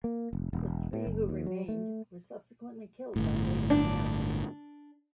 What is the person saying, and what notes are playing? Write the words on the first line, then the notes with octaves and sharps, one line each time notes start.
The three who remained were subsequently killed by Native Americans.
A#3
F1
E1
A2
F#1
D#2
F#3
A3
G1 A2
D4